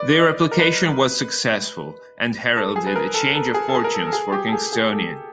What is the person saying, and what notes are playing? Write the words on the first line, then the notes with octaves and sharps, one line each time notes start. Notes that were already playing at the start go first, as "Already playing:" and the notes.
Their application was successful, and heralded a change of fortunes for Kingstonian.
Already playing: B4 D5
D#5
A#4
B4
A4
G#4
B4
A#4
A4
A4
G#4
A4
G#4
A#4
A4
A4
G#4
G4
A4
G#4
G#4
A4